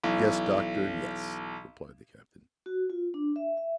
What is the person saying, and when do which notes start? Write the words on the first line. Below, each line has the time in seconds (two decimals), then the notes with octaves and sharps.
"Yes, Doctor, yes," replied the captain.
0.04 B1 E3
2.66 F#4
2.90 F4
3.14 D4
3.36 E5
3.57 E5